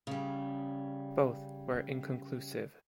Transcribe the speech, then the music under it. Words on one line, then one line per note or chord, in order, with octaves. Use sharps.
Both were inconclusive.
C#3 G3